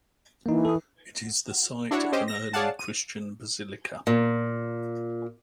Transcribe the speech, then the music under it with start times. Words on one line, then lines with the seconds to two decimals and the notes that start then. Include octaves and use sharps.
It is the site of an early Christian basilica.
0.46 E3 A#3 D#4
0.65 A4 D#6
1.91 D4 E4 F#4 C#5
2.12 C#4 G4 C5 D#5
2.28 A#6
2.53 G#4 C#5 D5 F5 F#5 A5
2.79 D#7
4.07 A#2